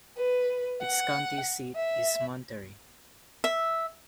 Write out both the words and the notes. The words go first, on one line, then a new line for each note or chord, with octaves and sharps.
Its county seat is Monterey.
B4
F#5
E5
E5